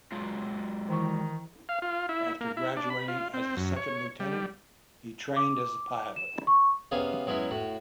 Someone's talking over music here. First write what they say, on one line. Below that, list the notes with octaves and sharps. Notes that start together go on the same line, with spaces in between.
After graduating as a second lieutenant, he trained as a pilot.
F#3 G#3 F4
D#3 E3 E4 C#6
F5
F4
E4
A#3
E4
D4
B5
F4
C4
F#2
C#5
G3
D6
E7
C#6
C3 B3 C#4 G#4 F5
F#3 G#3 B3 C#4 E4
A2 F#4